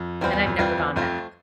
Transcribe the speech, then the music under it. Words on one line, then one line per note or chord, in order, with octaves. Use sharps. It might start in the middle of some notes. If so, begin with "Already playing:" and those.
and I've never gone back.
Already playing: F2
E2 E3 G3 C4 F4
E2
F2
F2 E3 G3 C4 F4
E2
F2 A3 C4 F4